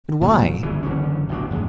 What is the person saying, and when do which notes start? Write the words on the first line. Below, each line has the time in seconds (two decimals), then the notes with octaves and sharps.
And why?
0.21 A#2 D#3 F#3
0.63 G1 C#3 E3
0.83 F#1 D3 E3 C#4
1.29 A1 B2 D4
1.50 F2 A2 C#3 G#3